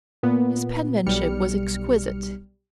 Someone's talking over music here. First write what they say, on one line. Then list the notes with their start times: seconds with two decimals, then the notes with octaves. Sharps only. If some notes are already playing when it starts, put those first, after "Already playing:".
His penmanship was exquisite.
0.23 A#2 B3
1.07 B1 G3 F6 C#7